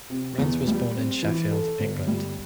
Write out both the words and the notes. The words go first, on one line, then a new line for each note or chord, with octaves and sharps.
Rands was born in Sheffield, England.
C3
E2
G3
C4
E3
A4
G1
G3